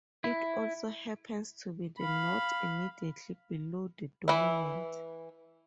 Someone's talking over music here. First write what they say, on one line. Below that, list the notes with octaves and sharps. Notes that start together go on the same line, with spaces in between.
It also happens to be the note immediately "below" the dominant.
E4
F5 B5
E3 E4